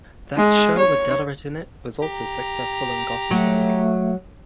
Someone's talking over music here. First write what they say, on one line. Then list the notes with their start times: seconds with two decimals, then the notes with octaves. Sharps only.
That show with Dellert in it was also successful in Gothenburg.
0.37 G#3
0.78 C#5
2.01 G4 A#5
3.31 F#3 A3